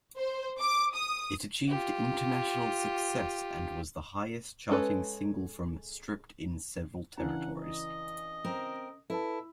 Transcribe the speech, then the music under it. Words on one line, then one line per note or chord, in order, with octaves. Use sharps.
It achieved international success and was the highest-charting single from "Stripped" in several territories.
C5
D6
D#6
F4 G4
G#3 C#4 A4 B4
C#3 E3 D4 F#5 A#5
D#5
C4 C#4 A#4
E4 A4 B4 A5